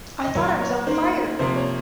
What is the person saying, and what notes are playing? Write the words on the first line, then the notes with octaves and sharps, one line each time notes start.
I thought I was on fire!
D#5
A#2 F#3 A#3 C#5
C#5
D#3 A#3 C5
C3 F3 A#3 C5
C#5